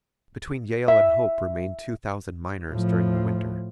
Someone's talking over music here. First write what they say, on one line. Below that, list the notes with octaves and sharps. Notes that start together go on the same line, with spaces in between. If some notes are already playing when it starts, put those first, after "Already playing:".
Between Yale and Hope remained two thousand miners during the winter.
E5
A2 F3